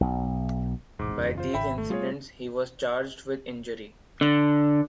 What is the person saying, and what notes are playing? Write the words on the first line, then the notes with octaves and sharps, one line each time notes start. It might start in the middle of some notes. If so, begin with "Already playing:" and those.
By these incidents he was charged with injury.
B1
E1 A1 G#2 D6
F#1 E2 C#3
F4 C5
G#1 E5 G5 B5
A3
G3 A3 F4 G#4 C#5
D3